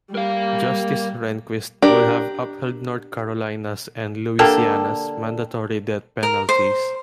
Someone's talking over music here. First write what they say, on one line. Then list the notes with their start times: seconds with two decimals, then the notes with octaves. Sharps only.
Justice Rehnquist would have upheld North Carolina's and Louisiana's mandatory death penalties.
0.15 G3 A#4 F5
1.82 D4 G4 A#4
4.39 D3 A#3 G4 A4
6.23 A#4
6.49 C5